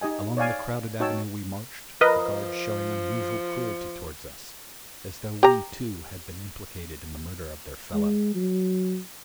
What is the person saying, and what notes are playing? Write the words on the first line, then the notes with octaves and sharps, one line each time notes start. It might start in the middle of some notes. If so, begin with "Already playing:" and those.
Along the crowded avenue we marched, the guards showing unusual cruelty toward us, as though we, too, had been implicated in the murder of their fellow.
D#4 G4 D#5 G#5
C#5 D5 F5 G#5
D#4 F#4 C#5 G5 A5 E6
F3 A#4 B4 D#5
G4 A#5
G#3
F#3